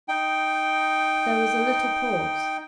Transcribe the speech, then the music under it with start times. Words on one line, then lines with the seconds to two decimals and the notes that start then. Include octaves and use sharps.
There was a little pause.
0.08 D#4 G5